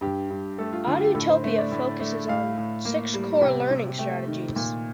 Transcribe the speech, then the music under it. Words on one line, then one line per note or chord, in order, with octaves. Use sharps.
Edutopia focuses on six core learning strategies.
G2 G4
G2
A3 A4
F4
D3 F4
G4
A2 A4
C5
A3 C5
D5
A2
A3
A2 F5
A2
A#3
G3
C3 G5
C3
A3 G5
D#3
A#2